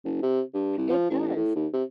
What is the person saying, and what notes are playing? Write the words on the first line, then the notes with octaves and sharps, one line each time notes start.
It does.
F#1
C3
G2
C2
F3
A1
A2
D#2
C3